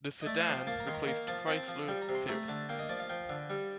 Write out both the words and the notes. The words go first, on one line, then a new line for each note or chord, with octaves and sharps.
The sedan replaced the Chrysler Cirrus.
D#5
A3 D5
F5
F3
G5
A#3 A5
A#5
D#3 C6
A#5
A#3 A#5
F3 A5
C4 A5
F3
G3 G5
A#5
C3
C6
A3 A#5
D3 A5
A#3 G5
D#5
F3 D5
F5
F3 G5
D3
G3